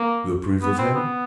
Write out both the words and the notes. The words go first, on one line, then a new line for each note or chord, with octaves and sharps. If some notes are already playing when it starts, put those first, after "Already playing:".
"You approve of him?"
Already playing: A#3
B3
C4
B3